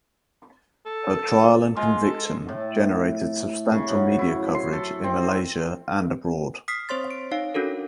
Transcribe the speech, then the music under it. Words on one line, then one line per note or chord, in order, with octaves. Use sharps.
Her trial and conviction generated substantial media coverage in Malaysia and abroad.
A4
G#3 F4
A4
A2
C#3
F#2
E4
C6
A4
C4
D#6 F6 B6 C7
C4 C5 C#5 C6 A6
D7
D#4 C#5 F5
C#4 D4 F#4 A4 A#4